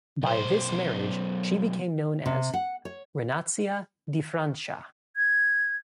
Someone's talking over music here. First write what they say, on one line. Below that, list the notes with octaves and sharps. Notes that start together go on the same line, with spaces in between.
By this marriage, she became known as "Renatia di Francia".
B1 C5
C3
F#5
C#5
G#6